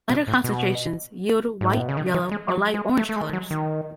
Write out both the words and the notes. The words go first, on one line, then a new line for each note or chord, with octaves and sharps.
Lighter concentrations yield white, yellow, or light orange colors.
B2
A2
B2
G#2
A2
B2
C#3
D#3
E3
G#3
F#3
G#3
A3
A3
G#3
F#3
D#3